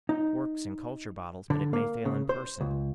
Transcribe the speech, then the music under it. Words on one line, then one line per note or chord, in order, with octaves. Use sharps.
It works in culture bottles, but it may fail in person.
D#4
D3
A#3
C#3
C5
C#2